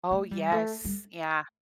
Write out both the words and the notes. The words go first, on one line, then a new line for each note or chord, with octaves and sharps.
Oh, yes, yeah.
A3
G3
A3
G3